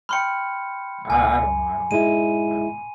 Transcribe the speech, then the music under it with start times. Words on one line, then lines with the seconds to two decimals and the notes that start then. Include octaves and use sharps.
I I don't know, I don't know, I don't know.
0.09 G5 B5 C6 F6 C#7
1.10 C#2 G#5
1.91 G#2 G#3 E4 D#7